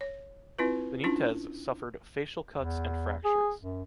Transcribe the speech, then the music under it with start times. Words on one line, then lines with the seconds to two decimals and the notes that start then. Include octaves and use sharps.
Benitez suffered facial cuts and fractures.
0.01 C#5
0.59 C4 E4 F4 B4
1.04 C#4 D4 E4 F4
2.56 E2
3.25 G#4
3.60 F#2